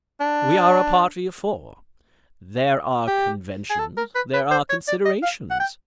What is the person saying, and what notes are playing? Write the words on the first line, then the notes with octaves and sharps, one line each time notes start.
We are a party of four. There are conventions, there are considerations....
D4
G4
G#4
A4
A#4
B4
B4
C5
C#5
D5
D#5
F5
F#5
G5